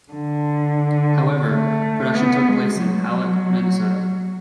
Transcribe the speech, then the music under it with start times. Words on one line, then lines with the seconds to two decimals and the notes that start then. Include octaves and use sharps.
However, production took place in Hallock, Minnesota.
0.12 D3
1.47 A3
2.14 B3
2.49 G#3
2.82 F#3